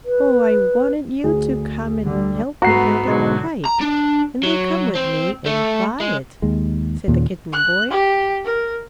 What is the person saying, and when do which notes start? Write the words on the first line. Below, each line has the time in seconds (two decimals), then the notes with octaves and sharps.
"Oh, I wanted you to come and help me build a kite, and then come with me and fly it," said the kitten boy.
0.05 B4
1.24 D2 G#4
2.04 D3 G3
2.62 G#2 A3 B3 F#4 A#5 C7
3.08 G#2 B2 D3 F#3 G#3
3.66 A#5
3.81 D4
4.43 F#3
4.95 C4
5.46 A3
6.00 G#3
6.42 D#2 G#3
7.08 D#2 A#2 C#3
7.53 F#6
7.90 G4
8.45 A#4